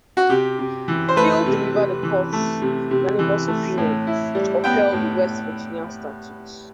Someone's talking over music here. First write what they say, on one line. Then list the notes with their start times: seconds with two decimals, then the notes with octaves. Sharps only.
Field delivered the Court's unanimous opinion which upheld the West Virginia statute.
0.17 F#4
0.30 C3 G4
0.59 C3
0.88 E3
1.08 C5
1.16 A3 B4
1.46 C3
1.75 C3
2.03 E3
2.33 A3
2.62 C3
2.91 C3
3.19 E3
3.48 A3
3.78 A2
4.07 E4
4.35 G3
4.64 B3 G5
4.93 A2